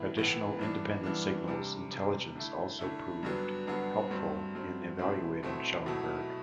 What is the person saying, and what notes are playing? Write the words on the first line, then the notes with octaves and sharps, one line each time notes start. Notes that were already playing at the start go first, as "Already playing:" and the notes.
Additional independent signals intelligence also proved helpful in evaluating Schellenberg.
Already playing: A2 E3 B3 E4
A2 E3 B3 E4
G2 E3 B3 D4
G2 E3 B3 D4
C3 G3 D4
C3 G3 D4
D3 A3 E4
D3 A3 E4
G2 D3 F#3 B3
G2 D3 F#3 B3
G2 F#3 A3 C4
G2 F#3 A3 C4
B2 A3 C4 E4
B2 A3 C4 E4
B2 F#3 A3 E4